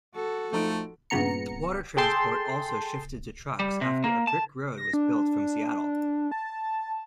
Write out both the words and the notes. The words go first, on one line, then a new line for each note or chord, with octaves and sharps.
Water transport also shifted to trucks after a brick road was built from Seattle.
F#4 A4
F3 A3 D#4 D7
G2 A#2 C#3 B3 A#5 C#7
G#4 A4 G5 A5 C6
G3
C3
A#3
A5
A#6
D4
A5